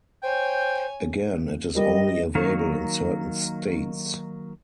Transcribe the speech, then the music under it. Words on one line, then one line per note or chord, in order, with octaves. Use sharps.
Again, it is only available in certain states.
C5 C#5 G5 G#5
G3 A#4 D#5
D#3 F#3 A#3